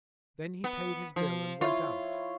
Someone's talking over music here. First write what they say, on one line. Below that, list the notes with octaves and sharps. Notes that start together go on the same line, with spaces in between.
Then he paid his bill and went out.
B3
F3
E4 F4 C#5